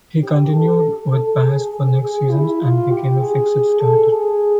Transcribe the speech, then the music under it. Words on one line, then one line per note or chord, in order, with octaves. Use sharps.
He continued with Pas for the next seasons and became a fixed starter.
G4
A4
A4
G#4
G#4
G#4
E4
F4
G4
G#4
A4
G#4